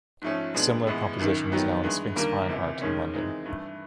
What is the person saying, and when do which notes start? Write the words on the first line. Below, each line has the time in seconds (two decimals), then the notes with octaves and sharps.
A similar composition is now in Sphinx Fine Art in London.
0.22 G#2 F3 A3 C#4
0.54 B2 G#3 B3 D4
0.87 A2 E3 G#3 B3
1.19 G#1 F#2 D#3
1.52 D#3 F#3 B3 D#4 G4
1.84 G2 E3 G#3
2.16 D#2 D3 G3 A#3
2.49 C#2 C3 E3
2.81 D#2 D#3 G#3 C#4
3.14 E3 G#3 C4 D#4
3.46 G2 E3 A3